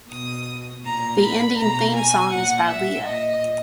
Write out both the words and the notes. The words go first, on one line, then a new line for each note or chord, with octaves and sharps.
The ending theme song is by Lia.
B2 D#6
A#2 A#5
B5
B2 A#5
G#5
A#2 F#5
E5
A#2 D#5